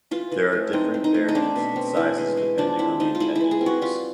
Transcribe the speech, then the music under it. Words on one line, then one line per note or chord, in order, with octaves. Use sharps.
There are different variants and sizes depending on the intended use.
E3 F4
E3
A3
C4 D#4
C4
D#4
A3
D#4
C4 D4
B2
C4
E3
G#3
G#3
F3 D4
C4 E4
F3 D#4
F4
G#3 E4
E4
E3
G#4
C4
F#4
G3 F4